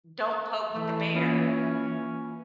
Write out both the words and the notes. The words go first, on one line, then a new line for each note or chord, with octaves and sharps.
don't poke the bear
E3 A3
A#3 C#4 F4 B4